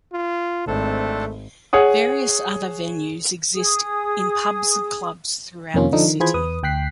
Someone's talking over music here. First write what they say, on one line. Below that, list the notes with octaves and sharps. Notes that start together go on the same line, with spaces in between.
Various other venues exist in pubs and clubs throughout the city.
F4
G#1 A3 C4 D4 A4
G#4 C#5 F#5 D#6
G#4 D#6
F2 C3 D#3 A#3 C#4 F4
D3 F3 D4 D#4 A4
D#3
E3 F4 G#4 C5 B5 G#6
E2 B4 D#6
D2 G5 F#6 B6 C7